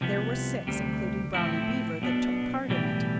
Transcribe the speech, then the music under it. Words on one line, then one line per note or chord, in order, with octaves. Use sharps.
There were six, including Brownie Beaver, that took part in it.
C2 C3 F3 B3
D2 C3 G3
A2 F3 A3 C4 E4
B1 B2 B3 D4
B1 A2 E3 G3